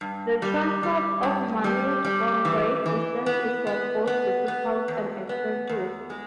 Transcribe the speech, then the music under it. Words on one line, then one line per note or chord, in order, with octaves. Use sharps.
The transport of mummies from great distances was both difficult and expensive.
G2
G3
G3
G2
G3
G3
E3
E3
B3
B3
B3
B3
E2
B3
E2
G#3